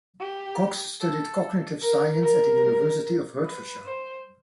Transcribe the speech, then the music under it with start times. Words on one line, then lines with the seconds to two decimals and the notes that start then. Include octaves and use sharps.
Cox studied cognitive science at the University of Hertfordshire.
0.19 G4
1.01 A4
1.82 A#4
2.22 A#4
3.44 B4
3.85 C5